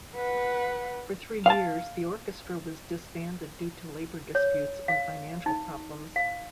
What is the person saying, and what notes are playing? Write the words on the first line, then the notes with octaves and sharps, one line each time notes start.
For three years, the orchestra was disbanded due to labor disputes and financial problems.
B4 F#5
F5 A5
C#5
F5
D#4
F5